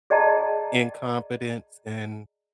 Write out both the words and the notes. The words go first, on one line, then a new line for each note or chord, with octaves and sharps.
incompetence and
G#4 D5 D#5 G5 A5 A#5